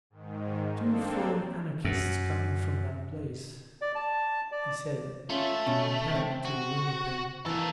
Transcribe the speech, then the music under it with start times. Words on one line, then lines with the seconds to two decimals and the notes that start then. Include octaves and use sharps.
"Two foreign anarchists coming from that place," he said, apparently to the window-pane.
0.10 G#2 D#3
0.78 A#3 C4 D4 A4
1.85 F#2
3.82 D5
3.95 A5
4.52 D5
5.30 A3 C#4 F4
5.67 B2 C#4
6.15 C4
6.45 F#4
7.46 E3 A#3 A4